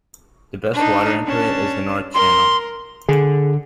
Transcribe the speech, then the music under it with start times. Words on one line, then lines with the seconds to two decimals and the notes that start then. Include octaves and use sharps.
The best water into it is the North channel.
0.73 D4 D#4
1.27 C#4 D4 A5
2.14 A#4 C6
3.09 D3 G#4